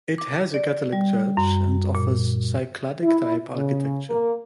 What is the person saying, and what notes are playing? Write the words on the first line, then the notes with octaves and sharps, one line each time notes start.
It has a Catholic church, and offers Cycladic type architecture.
D6
D5
G3
F#2
A#2
E4
C#3
A#3